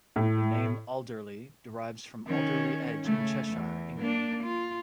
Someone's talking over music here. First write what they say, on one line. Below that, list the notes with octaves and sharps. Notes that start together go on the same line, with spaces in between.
The name "Alderley" derives from Alderley Edge in Cheshire, England.
A2
D#3 C#4
C#3 A3
E2
A#3 D4
F4